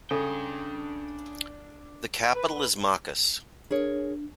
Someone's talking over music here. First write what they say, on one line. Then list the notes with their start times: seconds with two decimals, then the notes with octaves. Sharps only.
The capital is Macas.
0.11 C#3 D4 A4 G5
2.34 B4
3.71 D4 G#4 A#4 C#5